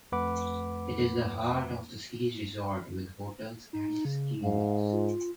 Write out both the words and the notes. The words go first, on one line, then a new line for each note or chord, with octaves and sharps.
It is the heart of the ski resort with hotels and ski lifts.
F2 A3 B4 F#5 B5 D6
D#4
C#3
G#2 F5
F4